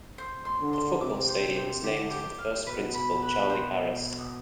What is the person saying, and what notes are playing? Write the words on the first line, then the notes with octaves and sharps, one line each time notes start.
The football stadium is named for the first principal, Charley Harris.
C5
C6
D3
C6
C3 D6
C5
C5
D3 G4
G4
F5
B2 B4
B5
B4
C5